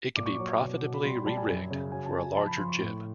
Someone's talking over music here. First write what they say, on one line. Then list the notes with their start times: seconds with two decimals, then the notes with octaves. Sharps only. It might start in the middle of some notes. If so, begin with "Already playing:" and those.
It can be profitably rerigged for a larger jib.
0.16 A#2 D6
0.26 C#6
0.34 F#3 D6
0.61 B2
0.83 B2
0.94 B5
1.04 G3 C6
1.15 B5
1.26 G3 A5
1.37 G#5
1.48 F#2
1.71 C#3
1.92 F#3 G#5
2.06 A5
2.14 F#3 G#5
2.36 F3 A5
2.47 B5
2.58 F3 C6
2.69 C#6
2.80 A2